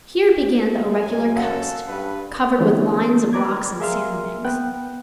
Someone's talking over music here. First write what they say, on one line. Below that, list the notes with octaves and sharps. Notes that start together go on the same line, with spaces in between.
Here began the irregular coast, covered with lines of rocks and sandbanks.
F#2 G#5
A4 F5 F#5
G2 B4
D3 E3 G3 A#3 C4 C#4
B4 D5 A#5 D6 G#6
G#4 A#4 E5 F5 C6 F6
B3 G5 F#6